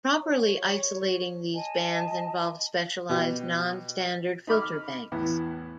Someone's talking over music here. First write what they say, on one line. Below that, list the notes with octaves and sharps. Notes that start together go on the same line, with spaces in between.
Properly isolating these bands involves specialized non-standard filter banks.
C#5
D#5 G#5 A5
B2 G4
D#4 B5 D6 F6
E2 A2 B3